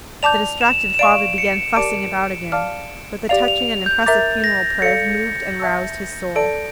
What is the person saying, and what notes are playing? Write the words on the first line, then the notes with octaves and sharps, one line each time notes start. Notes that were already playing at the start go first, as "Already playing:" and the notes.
The distracted father began fussing about again, but the touching and impressive funeral prayers moved and roused his soul.
D5 A5 D6 G6 F7
E7
E7
D5 F5 C#6 D7
C#7
G4 A#4 D5 A5 D6 D7
D5 F5 A5 D6 F6
G4 D5 F5 F7
F7
G6
A#4 E5 A#5 D6 A6
A#6
A4 D5 F5 C#7
E5 A5 C#6 E6
A4 D5 A5 D7